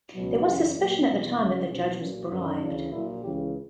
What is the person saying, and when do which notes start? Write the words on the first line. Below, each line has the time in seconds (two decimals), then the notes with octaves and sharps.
There was suspicion at the time that the Judge was bribed.
0.15 C#2 B2 F#3
0.45 F#2 C#3 E3 G4
0.76 A#1 A#2 F#3
1.07 E2 B2 F#3 D4
1.37 C#2 C#3 F#3
1.68 B1 B2 F#3 C#4
1.99 A#1 A#2 F#3 C#4
2.29 F#2 D3 F#3 C#4
2.61 D2 C#3 E3 D4
2.91 A#1 A#2 F#3 E4
3.22 C#2 C#3 E3 G4